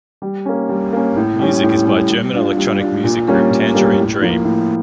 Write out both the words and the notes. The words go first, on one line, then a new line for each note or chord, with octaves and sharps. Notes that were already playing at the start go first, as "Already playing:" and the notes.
Music is by German electronic music group Tangerine Dream.
G3
A#3 C#4
G3
A#3 C#4
A2
G3 C#4
A2
G3 C#4
G3
D4 F4
G3
D4 F4
A#2
G3 A#3 C#4
A#2
G3 A#3 C#4
A2
F3 A#3
A2